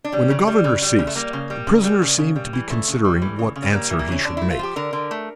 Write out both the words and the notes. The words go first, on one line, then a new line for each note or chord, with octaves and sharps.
When the governor ceased, the prisoner seemed to be considering what answer he should make.
D4
G3 C#4
C#3
G3
C#3
G3
C#3
A3
G3 A#3
C#3
G3
C#3
G3
C#3
C#3
G3
E3
C#3 A3
C#3
G3
E3
C#3
C#3
C#4
G3 A#3
E3
A#3
C#3 C#4
D3 D4
A3 E4
F4
F3 G4
D3 A#4
D3
A3